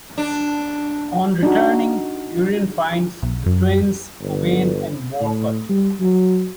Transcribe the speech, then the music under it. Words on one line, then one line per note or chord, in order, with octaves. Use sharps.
On returning, Urien finds the twins Owain and Morfudd.
D4
D4 D#4 F#4
B1
F#2
G1
A2
G3
F#3